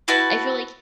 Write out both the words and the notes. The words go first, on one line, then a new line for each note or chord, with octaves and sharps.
I feel like
E4 F#4 B4 A5